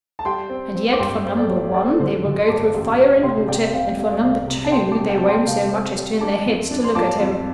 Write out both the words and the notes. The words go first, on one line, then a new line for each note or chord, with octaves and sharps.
And yet for Number One they will go through fire and water, and for Number Two they won't so much as turn their heads to look at him.
A5
G3 G5 C6
C4
C4
D6
G2 G5 C6
C4
A4 D5
C4
G3 D5
C5
A4
D3 C5
D3
C6
G2 A5 D6
A1
G3
C3 G5 C6
C3 D5 G5
C2 C5 F5
G3 F5
D5
C2 C5 F5
C3
A5
G3 G5 C6
A5 D6
C3
G5
C4 A5
G5 C6
C3 F5 A5
C4
G3
D4 A5 D6
F2
D4
C6
F3 A5 D6
F2